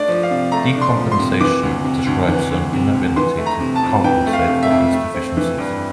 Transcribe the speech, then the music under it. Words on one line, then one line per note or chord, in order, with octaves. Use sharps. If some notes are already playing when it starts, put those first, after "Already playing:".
Decompensation describes an inability to compensate for these deficiencies.
Already playing: A3 D4 D5
F3
F5
C3
A3 A#5
D4
C6
F3
C6
C3
E3 D6
D2
C3
D2
E3
D2
C3
D2
E3 C6
A3
A#5
C3
A5
F2
E3 G5
A3
F5
C3
E5
F2
A3
C4
E3
G2